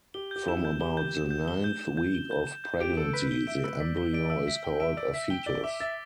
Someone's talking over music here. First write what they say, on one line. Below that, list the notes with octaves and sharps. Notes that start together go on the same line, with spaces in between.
From about the ninth week of pregnancy the embryo is called a fetus.
G4 G7
G4 G6
E4 E7
G6
G4 G7
G6
E7
G6
G7
G6
E7
G6
G7
G6
E7
G6
G4 D7
A4 E6
B4 B6
G7
E5 D7
B4 E6
D5 B6
G7
D5 D7
D5
E5 E6
E5 B6
G5 G7
E5 D7
D5 E6
E5 B6
G5 G7
D5 G7
E5 D6
E5 A6